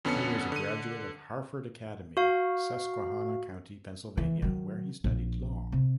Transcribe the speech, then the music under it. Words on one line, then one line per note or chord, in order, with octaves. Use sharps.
He was a graduate of Harford Academy, Susquehanna County, Pennsylvania, where he studied law.
F2 D3 B3 C#4 A5 C#7
D3 D#7
F#4 F5
E3
D#3 F#3
A#1
C3